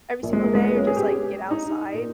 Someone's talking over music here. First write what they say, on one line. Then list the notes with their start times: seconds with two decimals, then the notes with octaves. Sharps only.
every single day or just, like, get outside
0.23 A#1 A#2
0.33 G#3
0.43 A#3
0.55 G#3
0.64 B3
0.76 C#4
0.87 G#4
0.97 G4
1.51 D#4
1.94 A#2